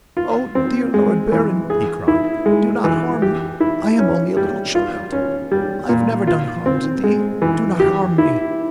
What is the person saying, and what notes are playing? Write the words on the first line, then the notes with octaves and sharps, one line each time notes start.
"Oh! dear Lord Baron," he cried, "do not harm me; I am only a little child, I have never done harm to thee; do not harm me."
F4
C4
G#3
E3
G#4
E4
G#3
E3
G4
E4
C#4
G3
F4
C#4
G3
A#2
F4
C4
G#3
E3
G4
E4